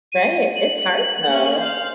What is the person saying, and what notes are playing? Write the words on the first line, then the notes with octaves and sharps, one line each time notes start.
Right, it's hard, though.
D#7
F#7
A#3 C#4
C5 F5